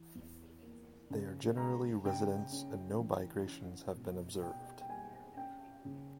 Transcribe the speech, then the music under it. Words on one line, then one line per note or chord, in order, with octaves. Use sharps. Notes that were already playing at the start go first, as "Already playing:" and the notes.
They are generally residents and no migrations have been observed.
Already playing: E3
E2
A#3
C#3
G#3 A#5
C#3 G5
C#4
E3
C#4
B2
B2 G5
G5
G3 G#5
C#4 G5
C#3